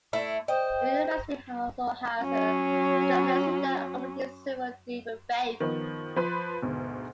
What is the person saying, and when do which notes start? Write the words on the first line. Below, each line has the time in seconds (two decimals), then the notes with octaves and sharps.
The university also has a Chaplaincy that accommodates several different faiths.
0.13 A3 E4
0.48 C5 D#5 G5
2.23 F#3 C#4
5.60 D#3 F3 B3
6.16 F3 B4 C6
6.62 D2 G#2 B2